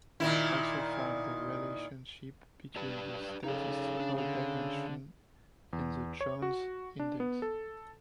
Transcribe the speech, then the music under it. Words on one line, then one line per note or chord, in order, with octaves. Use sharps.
He also found the relationship between the statistical dimension and the Jones index.
A#2 D#3 E4
D4 G4 B4
C#3 D#4 A4
D4
D3
E2
C#5
F#4
D4
B3
A4